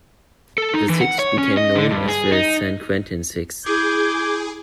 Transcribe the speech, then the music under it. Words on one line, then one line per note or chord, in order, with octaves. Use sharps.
The six became known as the "San Quentin Six".
A4
D#4
E3
F#5
C#5
C#4
D#5
D3
G2
G#4
D#4
E4 G#4 D6 G6 G#6